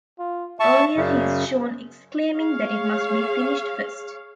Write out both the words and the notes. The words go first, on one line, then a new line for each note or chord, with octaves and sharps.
Earlier he is shown exclaiming that it must be finished first!
F4
E5 A5 C#6
F#2 C#3 D5
G#4 C#5 F5